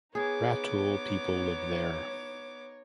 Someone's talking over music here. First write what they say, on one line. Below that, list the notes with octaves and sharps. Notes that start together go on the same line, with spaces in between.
Rutul people live there.
B3 D#4 G#4 C#5 D6